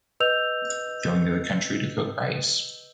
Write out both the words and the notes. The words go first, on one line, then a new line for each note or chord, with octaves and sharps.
Going to the country to cook rice.
B4 D#5 E6 G6 F7